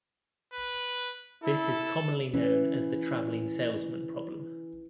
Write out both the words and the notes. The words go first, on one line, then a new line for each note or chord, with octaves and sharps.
This is commonly known as the traveling salesman problem.
B4
E4 A4
E3 C#4